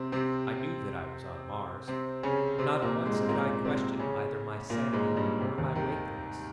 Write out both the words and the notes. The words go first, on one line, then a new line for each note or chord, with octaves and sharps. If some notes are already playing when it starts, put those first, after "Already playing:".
I knew that I was on Mars; not once did I question either my sanity or my wakefulness.
Already playing: C3 C4
C3 C4
C3 C4
C#3 C#4
C3 C4
A#2 A#3
G#2 G#3
C4
A#2 A#3
C3 C4
C#3 C#4
A#2 A#3
G#2 G#3
G2 G3
C3
D#2 D#3
D#3